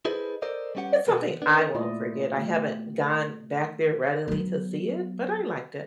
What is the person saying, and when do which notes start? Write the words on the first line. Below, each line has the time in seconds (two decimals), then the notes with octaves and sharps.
it's something I won't forget, I haven't gone back there readily to see it, but I liked it.
0.05 E4 G#4 A4 B4 C5 D#5
0.42 A4 A#4 C5 D5 D#5
0.75 G3 B3 C#4 G4 F#5
1.07 B2 E3 G#3 B3
1.42 B3 D4
1.75 A#2 A3 E4 F4 D5 D#5
2.36 A3 B3 G4
4.28 F#3 B3